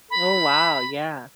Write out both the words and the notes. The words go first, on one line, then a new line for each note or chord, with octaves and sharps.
Oh, wow, yeah.
B5